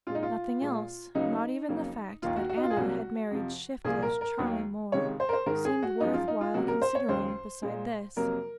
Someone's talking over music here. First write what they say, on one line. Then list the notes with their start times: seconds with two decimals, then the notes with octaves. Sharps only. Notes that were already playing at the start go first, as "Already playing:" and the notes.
Nothing else, not even the fact that Anna had married shiftless Charlie Moore, seemed worth while considering beside this.
0.07 A#2 G#3 F4
0.15 D#4
0.23 F4
0.61 A#2 G#3
1.15 C#2 C#3 F#3 A#3 D#4
1.68 F2 C#3 F#3 A#3
2.22 D#2 D#3 A#3 F4
2.36 F#4
2.49 F#4
2.57 D#4
2.64 F4
2.70 G#4
2.77 C2 C3 F#3 A#3 F#4
3.31 F2 C3 F3
3.85 C2 A#2 F3 A#3 G#4
4.02 A#4
4.21 A#4
4.39 D#2 D#3 F#3 A#3
4.92 C#2 C3 D#3 G#3 C#5
5.20 C5
5.29 A#4
5.33 C5
5.46 G#2 D#3 G#3 A#4
5.65 G#4
5.83 F#4
6.00 F#2 F3 G#3 D#4
6.14 F4
6.28 D#4
6.41 F4
6.54 C#2 C3 F#3 A#3 F#4
6.68 A#4
6.82 C5
6.95 C#5
7.09 D#2 C#3 F#3 C5
7.63 A#2 G#3
8.16 F2 C3 F#3 A#3 A#4